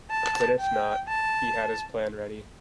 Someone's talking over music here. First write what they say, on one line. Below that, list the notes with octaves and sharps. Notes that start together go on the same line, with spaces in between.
But if not, he had his plan ready.
A5
G5
A5